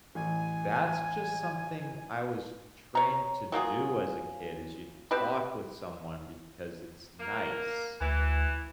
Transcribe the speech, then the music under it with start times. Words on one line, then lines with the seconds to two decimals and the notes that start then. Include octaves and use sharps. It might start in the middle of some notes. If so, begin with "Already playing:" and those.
"That's just something I was trained to do as a kid is you talk with someone because it's nice."
0.15 A1 G#5
2.95 C#5 A#5
3.52 F#3 A#3 F4 G#4
5.11 B2 C4 G4 B4
7.20 A#3
8.01 D2 E3